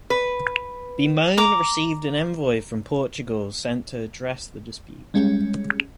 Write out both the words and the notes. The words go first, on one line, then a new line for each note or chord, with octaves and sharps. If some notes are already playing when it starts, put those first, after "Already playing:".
Bemoim received an envoy from Portugal sent to address the dispute.
B4
A#5 D6
G3 G#3 C#4